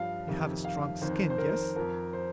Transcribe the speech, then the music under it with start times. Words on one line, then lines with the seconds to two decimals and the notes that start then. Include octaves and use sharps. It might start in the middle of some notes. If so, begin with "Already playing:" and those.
You have a strong skin--yes?
Already playing: G2 F3 F5
0.28 F2 C3 D#3
0.65 F5
1.01 F2 D#3 C5
1.30 C5
1.38 A#4
1.76 F2 F3 A#4
2.13 C5